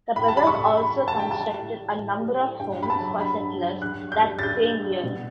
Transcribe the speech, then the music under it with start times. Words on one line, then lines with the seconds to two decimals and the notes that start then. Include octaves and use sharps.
The brothers also constructed a number of homes for settlers that same year.
0.16 A2 B5
0.28 A5
0.36 G3 B5
0.47 C#6
0.56 A2
0.77 G3 B5
0.97 G3
1.08 A5
1.18 G3 G5
1.31 A5
1.38 G3
1.58 A2
1.79 G3
1.99 A2
2.19 G3
2.39 A2
2.59 G2 G5
2.80 G2 B5
2.90 A5
3.00 F#3
3.20 G2 B5
3.41 G2
3.61 F#3
3.82 G2 F#6
4.02 G3
4.12 G6
4.23 G3
4.39 A6
4.43 G2 G6
4.63 G2
4.84 G3
5.03 B2